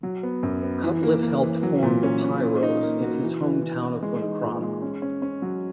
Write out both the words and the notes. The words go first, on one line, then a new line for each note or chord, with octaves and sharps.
Cutliffe helped formed The Pyros in his home town of Buncrana.
F#3
B3
F#2
B3
E3
A#3
A#3
E3
F#3
A#2
C#4
C#4
A#2
D#4
A#3
F#4
E3
E3
E3
E3
G#3
D#4
A#2
G#3
C#4
C#4
C#4
F#3